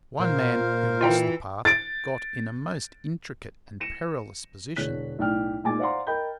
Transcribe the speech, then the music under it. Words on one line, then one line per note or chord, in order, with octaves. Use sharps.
One man, who lost the path, got in a most intricate and perilous position.
A#2 A#4 C5 F5
E3 F4 G5 A#5
A6 D7
A#6 C#7 D#7 E7
E1 D3 C#5 F#6 B6
B1 A2 D5 G5 F6
A#2 G#3 D#4 G#5 D6 A6
C5 D5 F5 F#5 A#5 C6
A#4 D#5 G5 B5 G6